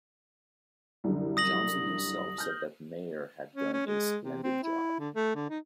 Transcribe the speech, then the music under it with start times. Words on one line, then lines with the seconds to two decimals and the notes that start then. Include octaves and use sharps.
Johnson himself said that Mair had done a "splendid job".
1.04 C2 F#2 D3
1.37 D#6 A#6 F#7
2.38 F6 G6
3.56 C#4
3.73 C#4
3.87 G#3
4.23 C3
4.44 C4
4.64 E4
4.99 D3
5.15 A3
5.35 D3
5.50 D#4